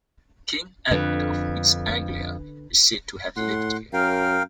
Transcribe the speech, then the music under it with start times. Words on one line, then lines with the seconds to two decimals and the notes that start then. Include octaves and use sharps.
King Edmund of East Anglia is said to have lived here.
0.91 F2 D3 B4
3.37 A2 F#5 C6
3.93 F#2 A#4 F5 G5